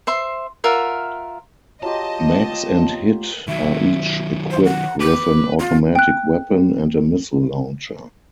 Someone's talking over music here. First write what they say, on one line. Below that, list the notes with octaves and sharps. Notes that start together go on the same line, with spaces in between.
Max and Hit are each equipped with an automatic weapon and a missile launcher.
C5 E5 C6
F4 A#4 E5 F#5
F#3 F4 G4 D#5 A5
D#3 F#3 E5
C5
F#5
B4 D6
F4
G5 F#6